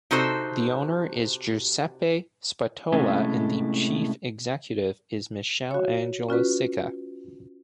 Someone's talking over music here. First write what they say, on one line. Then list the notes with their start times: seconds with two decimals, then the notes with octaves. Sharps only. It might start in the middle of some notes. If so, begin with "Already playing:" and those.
The owner is Giuseppe Spatola and the Chief Executive is Michele Angelo Sica.
0.11 C3 D#4 F#4 A4 C5
2.93 A2 C3 G#3 A3 C#4
5.71 F#4 C#5
6.29 C#4 F4 F#4 B4